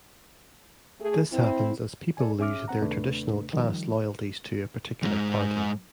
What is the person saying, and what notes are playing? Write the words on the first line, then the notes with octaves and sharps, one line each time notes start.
This happens as people lose their traditional class loyalties to a particular party.
A3 G#4
C4 E4
A4 D5 G#5
C#4 G#4 E5 D6 F6
C4 F#5 A#5
D#2 C3 A3 D4 B4
D#3 F3 G3
E2 G#2